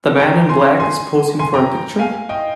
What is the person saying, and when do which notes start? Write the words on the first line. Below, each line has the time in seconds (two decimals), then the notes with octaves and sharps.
The man in black is posing for a picture.
0.20 G5 A#5
0.49 G#5 C6
0.80 G#5 C6
1.39 G#5 C6
1.54 G5 A#5
1.99 F5 G#5
2.29 D#5 G5